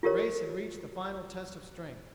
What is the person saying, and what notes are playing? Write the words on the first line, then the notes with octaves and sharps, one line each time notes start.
The race had reached the final test of strength.
F4 G4 A#4 C#5